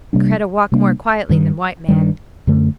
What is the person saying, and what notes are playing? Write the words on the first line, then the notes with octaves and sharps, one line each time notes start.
Kreta walk more quietly than white man.
C3 G3 A#3 D4
C3 G3 A#3 D4
G2 D#3 G3
G2 D#3 G3
F#2 D3 A3